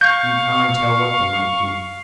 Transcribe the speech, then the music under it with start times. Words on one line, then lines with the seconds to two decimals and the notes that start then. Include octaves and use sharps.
"You carn tell what they might do."
0.01 F5 C#6 G6